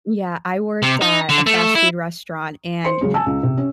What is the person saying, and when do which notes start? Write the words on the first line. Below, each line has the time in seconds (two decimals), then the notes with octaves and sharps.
yeah, I worked at a fast food restaurant, and
0.82 C3
1.02 D#4
1.29 D3
1.46 A3
1.75 E4
2.84 C5 C6 C#7
3.01 C#3 F#3 G#3 C#4
3.14 G#5 A5 E6
3.26 C#2
3.43 C3
3.57 C#4